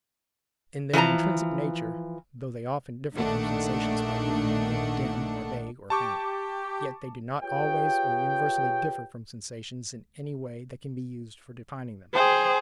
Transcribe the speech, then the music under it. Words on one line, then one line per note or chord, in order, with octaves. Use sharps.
In their intrinsic nature, though they often differ from sensations by being more dim or vague or faint, yet they do not always or universally differ from sensations in any way that can be used for defining them.
E3 F3 G#4 A5 A#5
A#1 D#3 A3 D4 F#5
G4 A5 C#6 D6
F4 G4 G#4 B4 C#5 G5
G#4 C5 G5